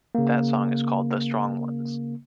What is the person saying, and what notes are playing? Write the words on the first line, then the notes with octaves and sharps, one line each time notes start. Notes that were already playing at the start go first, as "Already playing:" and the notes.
That song is called "The Strong Ones".
C#3 A#3